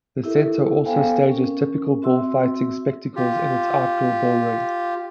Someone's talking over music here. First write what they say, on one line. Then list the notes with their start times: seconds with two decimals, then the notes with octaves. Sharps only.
The centre also stages typical bullfighting spectacles in its outdoor bullring.
0.24 E4 G4 A4 A#4 E5
0.85 B3 A4 C5 F5 G5 G#5
1.30 C#4 A#4
2.02 C4 F#4 E5 C6 E6
3.16 F4 G4